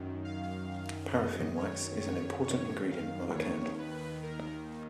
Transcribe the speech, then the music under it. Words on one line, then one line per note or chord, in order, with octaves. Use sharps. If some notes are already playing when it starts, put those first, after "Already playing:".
Parrafin wax is an important ingredient of a candle.
Already playing: F#2 D#3
F5
D#5
F#2 D#3 C#5
C#5
C#5
F5
D#2 D#3 C#5
B4
A#4